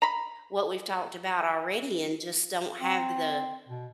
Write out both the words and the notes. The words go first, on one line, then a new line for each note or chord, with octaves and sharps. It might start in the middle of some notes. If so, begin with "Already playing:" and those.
what we've talked about already and just don't have the
A#5 B5
C4
B2